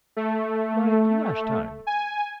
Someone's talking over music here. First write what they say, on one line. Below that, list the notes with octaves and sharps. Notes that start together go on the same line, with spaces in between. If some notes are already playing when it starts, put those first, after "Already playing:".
"Like last time?"
A3
G#5